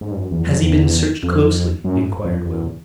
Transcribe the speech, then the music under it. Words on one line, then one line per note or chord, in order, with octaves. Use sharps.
"Has he been searched closely?" enquired Will.
G#2
G2
F#2
E2
F2
E2
F2
F#2
F2
E2